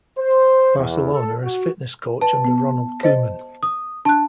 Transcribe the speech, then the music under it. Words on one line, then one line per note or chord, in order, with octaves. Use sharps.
Barcelona as fitness coach under Ronald Koeman.
C5
E2
A4
F#4
B4 A5
B3
C5 D#5 A6
D#6
D4 A5 F#6